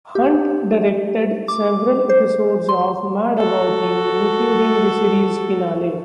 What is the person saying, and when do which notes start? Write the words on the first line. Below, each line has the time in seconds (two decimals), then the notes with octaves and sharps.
Hunt directed several episodes of "Mad About You", including the series finale.
0.15 G4
1.48 D6
2.09 C5
2.69 C6
3.38 F#4 A4